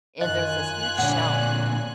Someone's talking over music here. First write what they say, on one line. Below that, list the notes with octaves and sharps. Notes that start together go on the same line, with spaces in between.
And there was this huge shelf
F#2 D#3 F4 D#5 G#5 F#6
A#2 D3 C#4 D4 F#5